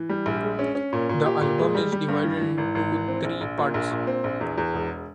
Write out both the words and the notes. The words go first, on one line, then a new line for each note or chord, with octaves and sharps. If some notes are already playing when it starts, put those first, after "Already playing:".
The album is divided into three parts.
Already playing: E3
G3
A#1
G#3
C#4
C#4
A#2
A#2
G4
A#2
G#3
G3
G3
G2
E3
E3
G#1
G#1
E3
C4
A#1
A#1
A#2
A#1
A#2
C4
A#1
E2
E2
E1